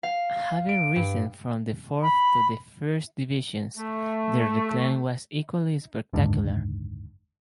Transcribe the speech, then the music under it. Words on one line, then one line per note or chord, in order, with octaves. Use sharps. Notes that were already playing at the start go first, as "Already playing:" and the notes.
Having risen from the Fourth to the First Divisions, their decline was equally spectacular.
F5
D7
G2
B5
A3
F#1 D#2 G#2 D3